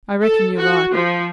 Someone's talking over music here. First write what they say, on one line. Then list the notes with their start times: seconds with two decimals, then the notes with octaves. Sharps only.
I reckon yo're right.
0.22 A4
0.57 F#4
0.93 F3